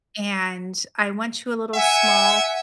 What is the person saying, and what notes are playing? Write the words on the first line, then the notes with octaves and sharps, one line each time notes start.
and I went to a little small
E5 F#5 G#5